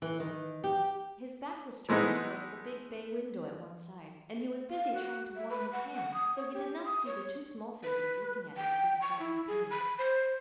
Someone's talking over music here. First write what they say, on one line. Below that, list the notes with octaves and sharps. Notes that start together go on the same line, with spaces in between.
His back was turned towards the big bay window at one side, and he was busy trying to warm his hands, so he did not see the two small faces looking at him through the frosty panes.
E3
D#3
G4
E3 G#3 A3 B3 D#4
F5
F#4
E5
B4
F#5
F#5
D#6
C#5
G4
D#6
C#5
B4
G5
C#6
E4
G#4
B5
C5